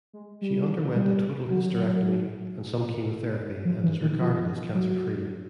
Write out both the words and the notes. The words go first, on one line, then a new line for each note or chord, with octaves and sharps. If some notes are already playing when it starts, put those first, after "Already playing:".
She underwent a total hysterectomy and some chemotherapy, and is regarded as cancer-free.
G#3
G3
G3
F#3
F3
E3
D#3
F3
F#3